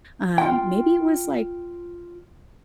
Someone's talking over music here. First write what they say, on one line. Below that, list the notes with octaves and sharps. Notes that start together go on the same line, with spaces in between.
Um, maybe it was, like,
F4 G5